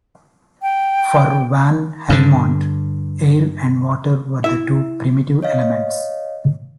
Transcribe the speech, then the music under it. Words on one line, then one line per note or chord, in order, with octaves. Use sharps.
For Van Helmont, air and water were the two primitive elements.
G5
G2 D3
E4 E5
C#5 D#5 F5